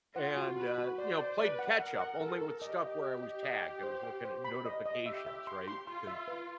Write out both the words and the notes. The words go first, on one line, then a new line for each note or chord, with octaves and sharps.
and, uh, you know, played catch-up only with stuff where I was tagged, I was looking at notifications, right? 'Cause
F4 F#5
F#4
F#4 B4
F#4
C5 D5
D5
B4 D5
F#5
A#4 F#5
F#5
A4 A#4
A#4
G4 D#5
D#5
D#5
D#5
D#5
G5
C5
G5
C5
B5
D#5
D#5
G4 E5
E5
C6
C6
F4 C6
E5
B4